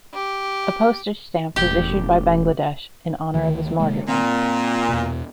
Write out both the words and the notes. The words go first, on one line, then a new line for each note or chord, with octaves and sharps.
A postage stamp was issued by Bangladesh in honor of his martyrdom.
G4
E1 A1 G4
D2 D#3
C3 G#3 A#3
A#2 C4
E2 B2